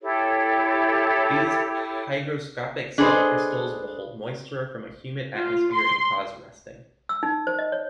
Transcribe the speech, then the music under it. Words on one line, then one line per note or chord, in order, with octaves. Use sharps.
These hygroscopic salt crystals will hold moisture from a humid atmosphere and cause rusting.
E4 G4 A4 C#5
D4 G#4 A4 B4 C5 D#5
F4
C6
E6
D#4
C5
D#5
C#5